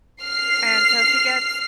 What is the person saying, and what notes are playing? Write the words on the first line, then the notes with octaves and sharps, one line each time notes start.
and so she gets
F6 C7